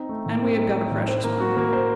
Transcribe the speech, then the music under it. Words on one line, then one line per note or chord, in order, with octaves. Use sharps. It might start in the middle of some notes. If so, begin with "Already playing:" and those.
And we have got a precious one.'
Already playing: C4 D#4
A3
A2
C4
D#4
A3
A2
C5
A#3
F#4
A#3
C5